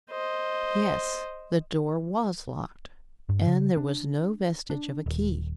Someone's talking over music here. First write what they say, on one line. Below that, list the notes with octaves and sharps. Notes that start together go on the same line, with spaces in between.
Yes, the door was locked, and there was no vestige of a key.
C5 D#5
G2
C#3
D4
D4
D#1